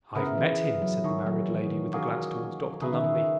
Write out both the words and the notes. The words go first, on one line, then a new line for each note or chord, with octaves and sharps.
'I've met him,' said the married lady, with a glance towards Dr Lumbey.
C#3 B3 E4 A#4
E3
F#3
D#3 D#4 G#4 C#5
F#3
E3
D#3
F#3 A#3 C#4 G#4
C#3 D#4 G#4 B4 E5
D#3
D#3
D#3